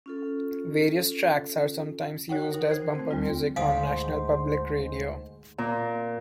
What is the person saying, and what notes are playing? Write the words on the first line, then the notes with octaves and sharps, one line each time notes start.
Various tracks are sometimes used as bumper music on National Public Radio.
C#4 F4 A4
F#4 C#5 F#5 G5
D#4 A#4
C5 F#6 G#6
A3 C4
D#2 G3 C4 F4
D2 G#2 C5 F5 G#5 D#6
A#2